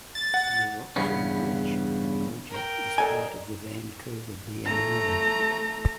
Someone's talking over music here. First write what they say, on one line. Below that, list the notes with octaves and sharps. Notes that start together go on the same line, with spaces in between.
The "Voxel Bridge" project is part of the Vancouver Biennale.
A6
F#5
E2 G2 C#3 B3 C#4
A#4 G5
F#3 D4 D#4 A4 G#5
A3 A#5